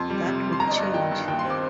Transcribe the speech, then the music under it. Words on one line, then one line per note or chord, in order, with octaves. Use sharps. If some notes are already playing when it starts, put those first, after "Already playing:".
That would change.
Already playing: F2 C6
G3
C3
G3
C6
G1 A#5
D#5
D5
G2
D#5
D#3 G5
G2
D#2 G5
C6
C4
D6